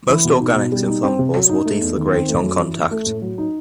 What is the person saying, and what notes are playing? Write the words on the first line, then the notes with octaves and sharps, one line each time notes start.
Most organics and flammables will deflagrate on contact.
E3
B2
D#4
B2
G3
D#4
C4
C3
F#3
D#4
A3
E2
D#3
C4
A3
F#2
E3
E4
A3
A2
F#3
D#4